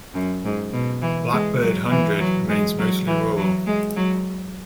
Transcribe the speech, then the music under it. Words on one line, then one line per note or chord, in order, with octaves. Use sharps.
Blackbird Hundred remains mostly rural.
F#2
G#2
B2
E3
G#3
F#3
E3
F#3
G#3
F#3
E3
F#3
G#3
F#3